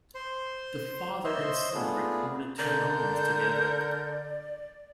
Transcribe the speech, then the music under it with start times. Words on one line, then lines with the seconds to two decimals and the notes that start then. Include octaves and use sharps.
The father and son recorded two albums together.
0.15 C5 C6
1.24 C5 C#5 D#5 E5 C6
1.75 A3 B3 D4 F4 G#4
2.59 D3 A#4 D5 G6